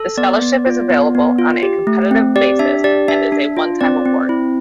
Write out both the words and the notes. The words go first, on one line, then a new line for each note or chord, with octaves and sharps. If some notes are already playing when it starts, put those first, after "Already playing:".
The scholarship is available on a competitive basis and is a onetime award.
Already playing: A4
B3 D5
B3
F4
B3
B3
F4
G4
A3
C4
G4 D5
D4 E5
G4 D5
D4 E5
D4
F4
C4 D5
C4
E4